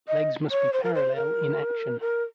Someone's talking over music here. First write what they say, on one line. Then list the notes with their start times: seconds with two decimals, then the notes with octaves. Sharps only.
Legs must be parallel in action.
0.08 D#5
0.51 C#5
0.73 C5
0.83 A#4
0.95 C5
1.16 A#4
2.01 A#4